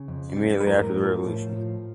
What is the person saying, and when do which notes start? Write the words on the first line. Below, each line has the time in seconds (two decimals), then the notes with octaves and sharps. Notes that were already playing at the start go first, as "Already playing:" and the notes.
Immediately after the Revolution.
Already playing: C#3
0.08 F2
0.37 G3
0.60 B4
0.67 A2 A#4
0.97 F3
1.26 A2
1.56 F3